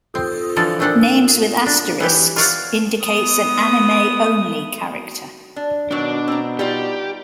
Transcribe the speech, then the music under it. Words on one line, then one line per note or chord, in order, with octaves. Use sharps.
Names with asterisks indicates an anime-only character.
C4
D3 E3 F3 A4 D5 A5
A#2 A3 C4 D4 A4 F#5
D4
E3 B3 G4
F4 G#4 C#5 D5 F5 F#5
B3 D#6
D4
B2 D#3 F#3 D4
C4 A#5
G3 D#4 F4 G4